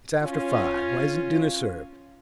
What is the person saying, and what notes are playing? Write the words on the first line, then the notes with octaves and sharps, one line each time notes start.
'It's after five; why isn't dinner served?'
C#4 F4